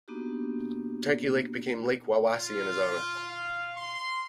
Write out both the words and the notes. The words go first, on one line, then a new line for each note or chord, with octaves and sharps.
Turkey Lake became Lake Wawasee in his honor.
A#3 B3 D4 D#4 F#4 G4
F4
F5
C6